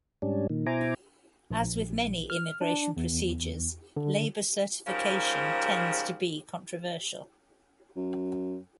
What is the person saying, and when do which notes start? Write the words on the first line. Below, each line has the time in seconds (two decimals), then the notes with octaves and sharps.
As with many immigration procedures, labor certification tends to be controversial.
0.22 G#2 G3 C#4 D4
0.50 A#2 D#3
0.66 B2 E4 C5 G#5 A#5 D6
1.51 A#1
2.30 F6
2.61 D4
2.97 E2
3.96 D3
4.87 G#2 C#3 F3 G3 G4 A#4
7.96 F#2